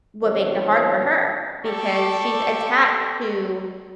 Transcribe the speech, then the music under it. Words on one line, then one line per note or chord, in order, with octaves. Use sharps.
what makes it hard for her, because she's attached to
E2 B2 D#3 F3 C4 C#5
G4 A4 D5 C#6